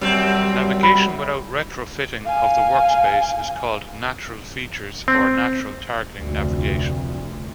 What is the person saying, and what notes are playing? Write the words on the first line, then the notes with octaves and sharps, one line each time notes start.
Navigation without retrofitting of the workspace is called Natural Features or Natural Targeting Navigation.
F#2 G3 C4
B5
F5 G#5
C4
F1 D2